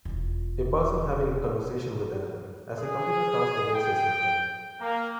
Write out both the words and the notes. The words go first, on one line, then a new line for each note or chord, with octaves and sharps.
A person having a conversation with another, as a computer task awaits his return.
E1 F4
G#4
G5
A#3